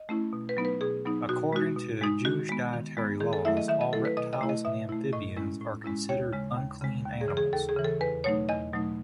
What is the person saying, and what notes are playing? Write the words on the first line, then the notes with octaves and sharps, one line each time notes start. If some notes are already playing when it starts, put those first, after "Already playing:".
According to Jewish dietary laws all reptiles and amphibians are considered unclean animals.
Already playing: D#5
A3 C#4 E4
B2
B4
F#3 B3 D#4
B4
B2 G#4
F#3 B3 D#4
B2 F#4
G#3 D#4 F#4
B2
G#3 D#4
D#3 F#4
G#3 B3
D#3
G#3 B3
D#3 G#4
A4
F#3 A3 E4 E5
D#5
D#3 E5
D#5
F#3 A3 E4 A4
B4
B2 D#5
D#5
A3 E4
D#5
B2 E5
A3 E4
A2 D#5
G#3 C#4 E4
A2
G#3 C#4 E4
D#2 C#5
C#3 G#3
D#2
C#3 G#3
D#2
G#4
C#3 E3
G#4
D#2 A4
G#4
C#3 E3
A4
E2 B4
B2 F#3 A3 D#4 C#5
E2 D#5
B2 F#3 A3 D#4